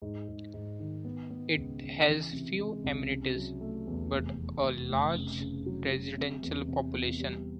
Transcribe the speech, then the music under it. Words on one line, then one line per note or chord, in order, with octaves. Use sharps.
It has few amenities, but a large residential population.
G#2
G#2
G#2
D#3
B3
B3
C#2
C#3
E3
C3
G#3
C2
C#3
F#3
A3
E2
F1
F1
F1
F1
C#3
C#3
F#3
F#3
C3
E2
C3
E2
G3